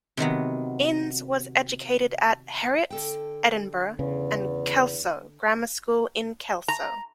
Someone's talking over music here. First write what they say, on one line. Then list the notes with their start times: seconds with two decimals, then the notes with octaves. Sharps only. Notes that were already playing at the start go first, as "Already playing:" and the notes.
Innes was educated at Heriot's, Edinburgh, and Kelso Grammar School in Kelso.
0.17 C3 D#3 F#3 B3
2.90 D3 A4 G5
3.99 E2 C#3
6.68 A#5